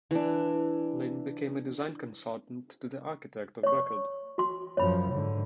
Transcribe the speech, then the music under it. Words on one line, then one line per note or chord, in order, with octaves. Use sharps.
Lin became a design consultant to the architect of record.
E3 D4
C#5 C#6
F#4 C6
F#2 F3 C#5 B5
G#2 D3